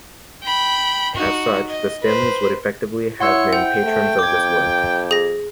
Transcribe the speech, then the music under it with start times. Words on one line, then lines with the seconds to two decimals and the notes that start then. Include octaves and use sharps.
As such, the Stanleys would effectively have been patrons of this work.
0.43 G5 B5
1.15 D#4 F#4
1.69 D#5
2.02 B4 C5
3.20 E4 C#5 F#5 C6 E6
3.53 C5 F#5 G5
3.84 A3
4.19 F2 D6 G#6
5.11 G#4 A#6